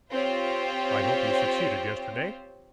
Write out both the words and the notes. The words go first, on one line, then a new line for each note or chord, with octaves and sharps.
I hope you succeeded yesterday.
C4 F4 G4 C5 C#5